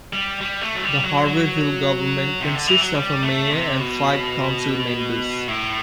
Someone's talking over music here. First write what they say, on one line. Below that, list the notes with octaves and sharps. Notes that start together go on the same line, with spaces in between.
The Harveyville government consists of a mayor and five council members.
G3
G3
A3
F#3
G3
F#3
F#3
C3
D3
E3
F#3
G3
A3
C3
B2
A2